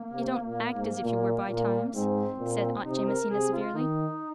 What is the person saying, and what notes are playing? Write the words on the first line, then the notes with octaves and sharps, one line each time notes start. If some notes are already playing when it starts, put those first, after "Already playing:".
"You don't act as if you were by times," said Aunt Jamesina severely.
Already playing: A#3
C3
A#2
G#2
A#2
A#2
G#2 C4
A#2
C3 D#4
A#4
C3 G#4
F4
D#3 D#4